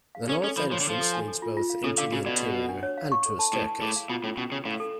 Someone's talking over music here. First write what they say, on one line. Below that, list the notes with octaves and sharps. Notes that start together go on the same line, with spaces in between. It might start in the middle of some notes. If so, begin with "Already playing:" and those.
The north entrance leads both into the interior and to a staircase.
F5
C#4 A4
C#4 A4
F3 B5
F3 C#5
D3
F3 A4
A4
G#5
A4
F4
F4
F5
C#3 A4
D3 F5
C#3 F#4
B2 D5
F#4
F#5
D4
C#5
F5
C#6
A4
A5
A2 B4
A5
A2 G#4
F5
B2 F4
A2 C#4
B2 C#4
C#3 B4
A2 F5
A4